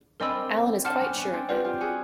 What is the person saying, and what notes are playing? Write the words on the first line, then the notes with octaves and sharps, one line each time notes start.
Allan is quite sure of it.
C4 D4 A#4 D#5 G#5 B5 E6
C4 D4 F#5 A5 D6 F6
B3 C#4
B3 C#4
C4 D4
F4 G4 B4 D5 F#5
F4 G4
F#4 G#4